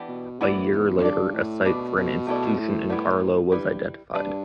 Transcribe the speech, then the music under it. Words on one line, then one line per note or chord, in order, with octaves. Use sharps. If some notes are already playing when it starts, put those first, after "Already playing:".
A year later, a site for an institution in Carlow was identified.
Already playing: E3 B3 D4 G4
B2
A2 E3 B3 E4 A4 D5
E2
E2
G2 D4 A4 D5
A2
B2 A3 D4 B4 D5
B2
B2 A3 E4 A4 D5
A2
G3 B3 E4
G2 G3 E4 B4
G2 D4 B4 D5